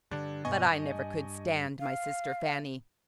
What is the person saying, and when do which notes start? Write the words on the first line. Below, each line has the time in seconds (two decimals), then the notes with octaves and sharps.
But I never could stand my sister Fanny.
0.11 G2 D3 D4
0.45 G2 B2 B3 D#5 G#5 C#6
0.70 G2
1.80 F5